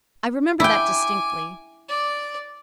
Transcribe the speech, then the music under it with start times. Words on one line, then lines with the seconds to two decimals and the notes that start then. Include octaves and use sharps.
I remember that distinctly.
0.60 E4 G5 G#5 D6
1.89 D5